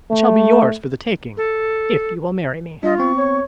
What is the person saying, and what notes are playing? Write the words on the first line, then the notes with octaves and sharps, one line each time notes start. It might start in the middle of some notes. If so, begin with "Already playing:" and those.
It shall be yours for the taking--if you will marry me.
A3
A4
G3 D4 F4 D#5
B3 C4 C#6
C#5